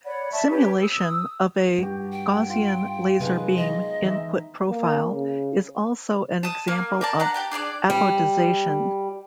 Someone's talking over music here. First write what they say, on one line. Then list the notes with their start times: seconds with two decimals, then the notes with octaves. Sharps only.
Simulation of a Gaussian laser beam input profile is also an example of apodization.
0.06 C#5 D5 F#5 B5
0.32 D5 E5 A5 C#6
0.50 C#4 G4 B4
0.82 D#6 E6
1.78 G2 F#4 G4
2.12 G5
2.49 F4
3.20 C3 D#3 F#3 G#3 B3 B4
3.57 D#5
4.02 E3 D#4 E5
4.69 A#3
5.12 C#3
6.43 A5 D#6
6.68 A#3
7.01 A#4 D5 A5
7.20 D4 F#5 A#5
7.34 G4 G5 A5
7.52 D4 G#4 A4 D5
7.90 G3